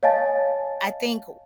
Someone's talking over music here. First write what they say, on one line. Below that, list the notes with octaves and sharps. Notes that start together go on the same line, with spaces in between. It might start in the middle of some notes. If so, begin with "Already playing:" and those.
I think
C#5 D#5 F5 G#5 A5 A6